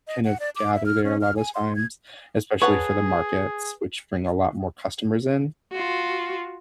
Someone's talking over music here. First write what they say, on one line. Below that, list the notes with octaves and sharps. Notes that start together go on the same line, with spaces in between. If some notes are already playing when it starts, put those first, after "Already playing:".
kind of gather there a lot of times, especially for the markets, which bring a lot more customers in,
D#5
F#5
D5
D6
E5
F6
C#4
F6
G#5
C6
G#6
G#4 B4 C#5 F#5 A5
F4 F#4